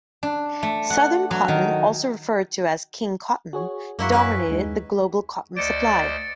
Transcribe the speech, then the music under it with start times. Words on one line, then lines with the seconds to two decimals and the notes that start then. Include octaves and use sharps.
Southern cotton, also referred to as King Cotton, dominated the global cotton supply.
0.23 D4
0.63 A3
0.90 F#5
1.31 F#3
1.48 D#3
3.53 F#4 G#4 C#5
3.99 F#2 A#3 E4 F#4
4.12 C#4 E4 B4
4.48 D#2 G#3 D#4
5.57 D2 C5 D5 D#5 A6 C#7 D7